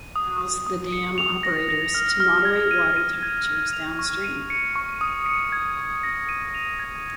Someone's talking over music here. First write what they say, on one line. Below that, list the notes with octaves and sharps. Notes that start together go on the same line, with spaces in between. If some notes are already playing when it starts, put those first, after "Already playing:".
This allows the dam operators to moderate water temperatures downstream.
Already playing: D#7
D#6
D#6
D#6
C#7
F7
A#6
A#6
F6
F6
G#6
D#7
D#7
G#6
F6
F7
C#6
D#7
C#7
C#6
D#6
C#7
G#6
C#6
A#6
D#7
F7
G#6